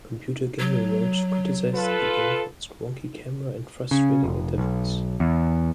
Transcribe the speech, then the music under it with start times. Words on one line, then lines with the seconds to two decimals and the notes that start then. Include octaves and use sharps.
"Computer Gaming World" criticized the game for it's wonky camera and frustrating interface.
0.59 F#3
1.74 F4 A4 B4
3.91 C#3
4.24 F1
4.58 B1
5.20 E2